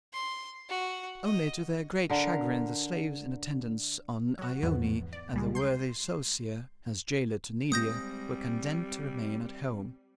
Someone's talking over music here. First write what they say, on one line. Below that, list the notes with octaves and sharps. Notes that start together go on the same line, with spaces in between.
Only, to their great chagrin, the slaves in attendance on Ione, and the worthy Sosia, as gaoler to Nydia, were condemned to remain at home.
C6
F#4
D#5
D3 A#4
F#3 F#4
E2 G#2 F3 B3
D5
C#2 G3 G#3
C6 G6
G3 G#3 B3 C4 D#6 G6 A#6